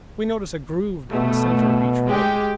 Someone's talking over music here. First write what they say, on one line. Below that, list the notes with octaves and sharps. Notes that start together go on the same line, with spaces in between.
We notice a groove down the centre of each ray.
B2 A3
G#3 G4